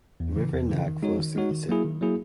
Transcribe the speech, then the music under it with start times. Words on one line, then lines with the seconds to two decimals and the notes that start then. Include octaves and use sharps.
The river Nag flows through the city.
0.20 E2
0.36 C#3 E3
0.53 E2
0.70 C#3 E3
0.86 D#3
1.03 G#3 D#4 F#4 C#5
1.19 D#3
1.36 G#3 D#4 F#4 C#5
1.51 D#3
1.69 F#3 A#3 E4 G#4
1.85 D#3
2.01 F#3 A#3 E4 G#4